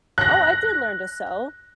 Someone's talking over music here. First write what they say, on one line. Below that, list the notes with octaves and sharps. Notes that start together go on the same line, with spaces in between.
"Oh, I did learn to sew."
F#6 A#6